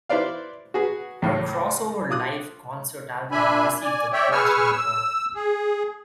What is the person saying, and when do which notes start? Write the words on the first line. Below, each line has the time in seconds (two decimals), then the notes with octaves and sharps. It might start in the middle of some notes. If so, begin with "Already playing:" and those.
Her Crossover Live Concert album received the Platinum Award.
0.09 E4 B4 C5 D5 F5
0.74 F#4 G#4 B4
1.22 C#2 A2
2.10 F4 D6 D#6 F#6
3.31 A#2 D4 E5 G#5 B5
3.81 D5 G#5
4.13 C#5 D5 E5 G5
4.31 G#4 B4 G#5 C#6 E6 F6
4.71 E6
5.35 G#4